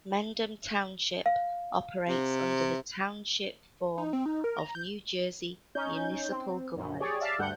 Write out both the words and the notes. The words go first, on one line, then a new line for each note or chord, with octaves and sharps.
Mendham Township operates under the township form of New Jersey municipal government.
F5
C3
D#4
C4
D#4
A#4
A#5
G6
C#4 D#4 G6
C4
A#1 F#2
G4 G#4 C#5 D5
D5 E5 F5 A5
D2 G2 G3 F#5 G6